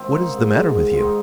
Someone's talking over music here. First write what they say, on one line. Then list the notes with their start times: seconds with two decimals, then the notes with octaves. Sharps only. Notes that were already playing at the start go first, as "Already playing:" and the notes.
"What is the matter with you?"
Already playing: G#2 D#3 C4 F4
0.11 D#4
0.30 G#2
0.66 G#2
0.92 F4
1.02 D#3 D#4